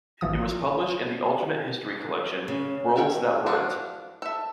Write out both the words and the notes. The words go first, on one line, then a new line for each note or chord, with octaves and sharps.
It was published in the alternate history collection "Worlds That Weren't".
G#1 E3 F3 D#6
C#3
A4 A#4 C#5 F5 G5
E3 F3 D4 F4 F#4
A4 E5